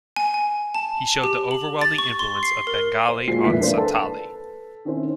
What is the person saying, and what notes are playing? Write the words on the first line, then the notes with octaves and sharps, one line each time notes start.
He showed the overwhelming influence of Bengali on Santhali.
G#5
G#5
A5
G4
F#7
A6
C#6
C6
C7
A#4
C5
A#2 G#3 F#4 C7
E1 F2 E4 B4 B6
D4 B4 C5 F5
A4 B4 A5
D#3 C4 C#4 E4 C5 C#5